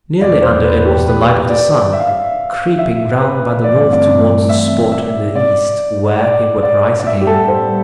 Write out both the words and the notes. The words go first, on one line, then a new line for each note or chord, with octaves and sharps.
Nearly under it was the light of the sun, creeping round by the north towards the spot in the east where he would rise again.
E2 B2 B3 D5
C5
B4
G4
B4
D5
E5
F5
E5
E5
B4
G2 E3 A3 C4 D5
D5
E5
E5
D5
D5
D5
D5
A2 G3 B3 E5
G4
A4
C5